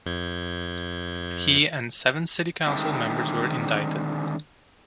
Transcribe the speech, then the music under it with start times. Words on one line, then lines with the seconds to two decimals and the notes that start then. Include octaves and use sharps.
He and seven city council members were indicted.
0.06 F2 G6 G#6
2.67 D3 D#3 G3 G#3 C4 E4